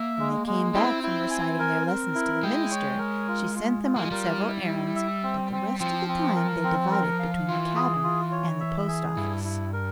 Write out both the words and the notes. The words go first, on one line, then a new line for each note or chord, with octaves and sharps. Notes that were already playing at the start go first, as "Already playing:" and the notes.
When they came back from reciting their lessons to the minister, she sent them on several errands, but the rest of the time they divided between the cabin and the post-office.
Already playing: A#3 E5
G#3
G#3
C4 E4
E4
G#5
A#4
A#4
E4
G#3 G5
C#5
A#4
F4
F4
F4
A#3
G#3
G3 A#4
E4
E4
E5
C4
C4
F3 C4
C4
A#4
C4
A#4
F5
E3 F4
G#4
F4
C#5
E5
G#4
G2 E4
E4
A#4